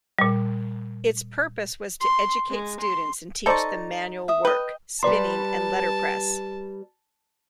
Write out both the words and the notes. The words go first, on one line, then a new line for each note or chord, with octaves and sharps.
Its purpose was to educate students and teach them manual work: spinning, and letterpress.
A#2 G3
C6
G#3
C6
D#4 A4 C5 D5 C#6
E5 D#6
B4 D#5 G5
G3 B4 D5 A5 A#5 C6